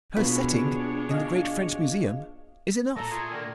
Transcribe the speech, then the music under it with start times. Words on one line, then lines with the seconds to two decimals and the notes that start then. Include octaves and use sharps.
Her setting in the great French Museum is enough.
0.17 B2 A#3 B3 D4 F4 G#4 C#5 B5
1.11 D#5 F5
2.96 A#2 A4 A#5
3.11 A3 F4 G#4
3.31 D3 D#3 A#3